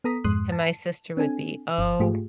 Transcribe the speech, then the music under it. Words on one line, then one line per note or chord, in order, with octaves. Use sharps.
And my sister would be, "Oh,
B3 A4 A#5 D#6 B6
F2 G#2 G#3 C6 D#6 F#6
A5
C4 D4 A4 G#5
G1
G#2 A3 F4 G4 G#4